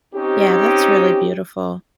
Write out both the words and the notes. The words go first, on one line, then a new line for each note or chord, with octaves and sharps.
Yeah, that's really beautiful.
C4 C#4 D#4 G4